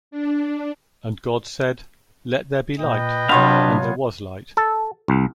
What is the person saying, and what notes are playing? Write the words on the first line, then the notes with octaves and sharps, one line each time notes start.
And God said, 'Let there be light,' and there was light.
D4
A#2 B4 D#5 G5
C3 F#3 B3 D4 F4 C#5 E5 F5
A4
C2